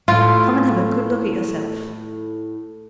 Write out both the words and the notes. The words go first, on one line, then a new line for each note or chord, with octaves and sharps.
"Come and have a good look at yourself."
A2 F4